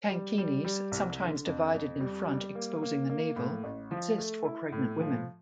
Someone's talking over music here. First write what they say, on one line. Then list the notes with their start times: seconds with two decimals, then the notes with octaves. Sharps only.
Tankinis, sometimes divided in front exposing the navel, exist for pregnant women.
0.10 G3
0.38 G3
0.65 G3
0.92 C2
1.19 D3
1.46 F2
1.73 F2
2.00 G3
2.28 G3
2.55 A#3
2.82 A#3
3.09 A#3
3.36 A2
3.64 A1
3.91 F3
4.18 A3
4.45 E4
4.72 A2
5.00 F3